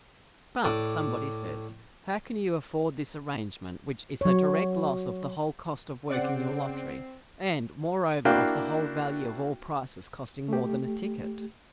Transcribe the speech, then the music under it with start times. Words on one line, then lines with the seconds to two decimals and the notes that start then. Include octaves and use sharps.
"But," somebody says, "how can you afford this arrangement, which is a direct loss of the whole cost of working your lottery, and moreover of the whole value of all prizes costing more than a ticket?"
0.64 A2 D5
4.21 F#3 C#5
6.10 C#3 C4 D5 F#5
8.25 A#3 D4 E4 F#4 F5 G5
10.48 A3 G4